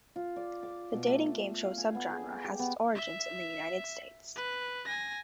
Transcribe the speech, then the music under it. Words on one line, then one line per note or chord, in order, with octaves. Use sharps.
The dating game show subgenre has its origins in the United States.
F4
D5
D6
B2
A3
C6
F5
G#5
B3
G#4
G4
B3
E5
B4
G#5 A#6